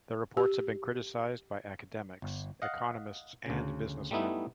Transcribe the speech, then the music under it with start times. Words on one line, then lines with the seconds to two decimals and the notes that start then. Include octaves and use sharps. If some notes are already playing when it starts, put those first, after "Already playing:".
The report has been criticized by academics, economists and businessmen.
0.37 G4
2.22 G1
2.62 D#5 F5 F#5
3.46 D2 C#3
4.11 G3 A3 B3 D#4 E4